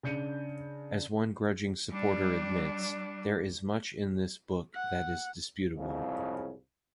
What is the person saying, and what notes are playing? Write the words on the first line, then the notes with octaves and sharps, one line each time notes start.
As one grudging supporter admits, there is much in this book that is disputable.
C#3 D4 G6 C#7 D#7
G3 D4
F#5
C2 F2 G#2 C#3